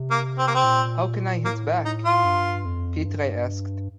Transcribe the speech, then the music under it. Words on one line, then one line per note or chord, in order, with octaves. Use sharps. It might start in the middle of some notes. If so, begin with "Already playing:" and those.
'How can I hit back?' Pitre asked.
Already playing: C3
A#3
C4
A#3
C4
A#2
A2 A#3
D#4
F4
G2
F2
G2